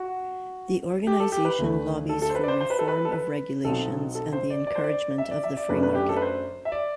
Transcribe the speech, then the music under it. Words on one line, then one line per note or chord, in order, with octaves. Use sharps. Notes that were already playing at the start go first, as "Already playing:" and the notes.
The organization lobbies for reform of regulations and the encouragement of the free market.
Already playing: F#4
G4
A4
G4
B4
D2 D3 A3
A4
A4
C5
B4
D5
C5
C5
B4
A4
B4
A4
B4
B1 B2 F#3 C4 A4
A4
C5
D5
D5
C5
D5
E5
D5
E5
D5
F#2 F#3 A3 D4 B4
B4
G4
A4
B4
C5
E5
D5